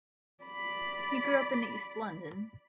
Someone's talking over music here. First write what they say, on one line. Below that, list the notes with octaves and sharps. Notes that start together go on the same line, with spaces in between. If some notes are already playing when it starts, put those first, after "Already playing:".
He grew up in East London.
D5 B5